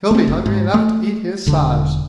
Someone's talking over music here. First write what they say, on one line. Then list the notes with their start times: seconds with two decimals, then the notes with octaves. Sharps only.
"He'll be hungry enough to eat his size."
0.11 A3 C4
0.27 F#1
0.46 G#2
0.74 A3
1.46 E1 D3